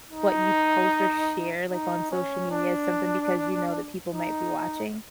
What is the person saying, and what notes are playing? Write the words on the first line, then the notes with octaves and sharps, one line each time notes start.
what you post or share, like, on social media, something, because you know that people might be watching?
D#4
D#4
C#4
D4
D#4